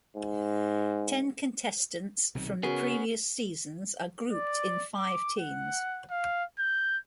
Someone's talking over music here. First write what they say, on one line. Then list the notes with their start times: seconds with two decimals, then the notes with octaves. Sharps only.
Ten contestants from the previous seasons are grouped in five teams.
0.17 G#2
2.35 B1 C3 D#3
2.63 C#3 B3 C#4 F#4 G#4 A#4
4.32 D5
4.97 D6
5.39 F#5
6.10 F5
6.59 G6